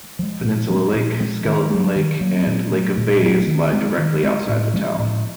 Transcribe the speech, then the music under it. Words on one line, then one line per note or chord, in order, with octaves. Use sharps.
Peninsula Lake, Skeleton Lake, and Lake of Bays lie directly outside the town.
F3 G#3
A#2
F3 G#3 C4
A#2
F3 G#3 C4
D#3
F#3 A#3
D#3
F#3 A#3
A#2
F#3 A3
A#2
F#3 A3
D#3
G#3 C4
D#3
G#3 C4
A2
F3 G#3 C#4
A2